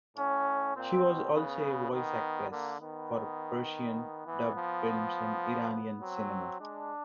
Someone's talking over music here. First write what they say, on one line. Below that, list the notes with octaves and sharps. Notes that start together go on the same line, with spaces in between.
She was also a voice actress for Persian-dubbed films in Iranian cinema.
A2 C#4
A#2 C4
B2
C#3 B3
D#3 B3
D3 A#3
D#3 B3
E3 B3
F3
F#3 C4
G#3 D4